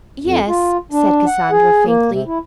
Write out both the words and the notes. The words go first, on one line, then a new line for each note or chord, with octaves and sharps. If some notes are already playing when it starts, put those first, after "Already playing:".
"Yes," said Cassandra, faintly.
F2
F4
D4
F#5
G#4
A#3
C3
E4